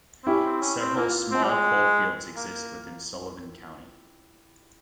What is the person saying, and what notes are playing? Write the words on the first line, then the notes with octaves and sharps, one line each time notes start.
Several small coal fields exist within Sullivan County.
C4
C#4 E4 G4
C4
C#4
C4
A#3 F4
C4
G3
G#3
A#3